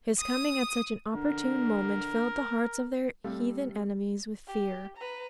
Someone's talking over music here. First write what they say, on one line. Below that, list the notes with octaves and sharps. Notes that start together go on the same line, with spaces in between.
His coming at such an opportune moment filled the hearts of their heathen enemies with fear.
D#6
D3 A#4
G3 A3 C4 G4 A4 F5
G4
B4 A#5